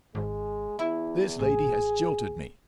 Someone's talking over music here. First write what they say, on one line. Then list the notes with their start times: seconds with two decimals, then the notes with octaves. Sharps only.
"This lady has jilted me."
0.15 G#1 G#3
0.79 E2 E4
1.39 A1 G#4